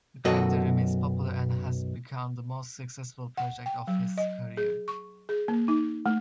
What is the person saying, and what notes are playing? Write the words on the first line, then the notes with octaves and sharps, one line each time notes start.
The character remains popular and has become the most successful project of his career.
B1 F#2 F#4 A4 D#5
F#5
G5
F#3
D#5
G#4
C#6
G#4
A#3
D#4
A3